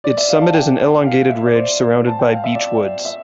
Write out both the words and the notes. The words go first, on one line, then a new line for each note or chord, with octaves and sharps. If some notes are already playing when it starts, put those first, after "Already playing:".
Its summit is an elongated ridge surrounded by beech woods.
D5
E5
F5
A5
G5
F5
E5
D5
C5
A5
G5
F5
E5
D5
E5